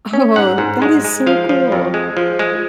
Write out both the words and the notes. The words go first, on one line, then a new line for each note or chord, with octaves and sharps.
Oh, that is so cool.
C#4
G#2 F#5
G#2
G#3
G#3
F3 F5
F3
F2
G#3
F3
G#3